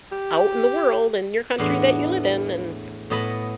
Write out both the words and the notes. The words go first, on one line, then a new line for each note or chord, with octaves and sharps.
out in the world in your country that you live in, and
G4
E2 A2 B3 D4 B4 C6
A2 B3 D#5 A5 B5